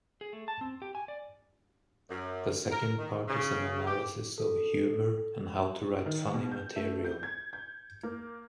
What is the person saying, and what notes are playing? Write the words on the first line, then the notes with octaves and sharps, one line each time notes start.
The second part is an analysis of humour and how to write funny material.
G#4
A3
A5
C4
G4
G#5
D5
F#2
A#4
D#3
C#3
G4
A4
D#3
B2
G6
A3
G6
G#6
G6
A#3